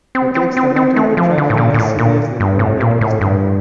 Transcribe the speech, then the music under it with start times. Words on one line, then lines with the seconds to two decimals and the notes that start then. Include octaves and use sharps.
He takes the matter a trifle less serious than Comrade Eastman.
0.15 C4
0.35 C4
0.57 C4
0.76 C4
0.96 A3
1.17 F3
1.38 D3
1.50 A2
1.57 A#2
1.74 A#2
1.79 A2
1.99 A#2
2.40 G2
2.59 A2
2.80 A#2
3.01 A2
3.21 G2